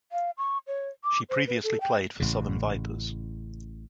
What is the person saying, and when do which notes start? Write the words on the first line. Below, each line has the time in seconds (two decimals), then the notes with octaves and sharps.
She previously played for Southern Vipers.
0.12 F5
0.38 C#6
0.67 C#5
1.04 D6
1.29 C5
1.47 B4
1.64 A4
1.81 G5
2.20 A1 A2 C#3